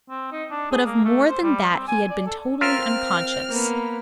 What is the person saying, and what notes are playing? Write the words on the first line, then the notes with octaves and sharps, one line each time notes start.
But of more than that he had been totally unconscious.
C4
D#4
D4
G#4
A#3
A3
C5
G3
C4
G#5
D5
A4
C4 F4 A#4 E5 F6
A#3 B3